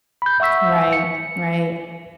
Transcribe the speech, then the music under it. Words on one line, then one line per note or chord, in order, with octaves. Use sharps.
Right, right.
B5 G6
E5 F#5 C#6 E6 B6
C#7